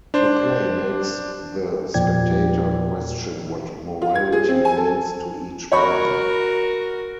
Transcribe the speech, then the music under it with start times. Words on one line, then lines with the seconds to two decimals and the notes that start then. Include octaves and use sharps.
The play makes the spectator question what morality means to each man.
0.14 D4 C5
1.94 E2 A#2 F3 D5 G5 G#6
4.02 F4
4.15 G#6
4.33 G#4
4.49 C4
4.65 G#5
4.77 A4
5.72 F#4 A#4 C#5 B5 C#6